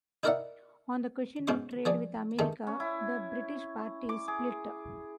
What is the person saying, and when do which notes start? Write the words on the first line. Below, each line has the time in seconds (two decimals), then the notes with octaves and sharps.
On the question of trade with America the British parties split.
0.23 D#4 E4 A#4 D5 E5 F#5
1.48 G#2 B2 C#4 C6 D6
1.85 F3 G#4 D5
2.39 G2 D#3 G#3 A3
2.67 C#4
2.80 E4
4.09 D6
4.28 G#4